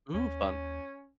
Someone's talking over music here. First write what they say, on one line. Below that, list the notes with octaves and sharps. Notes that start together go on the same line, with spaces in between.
Ooh, fun.
D#2 C#4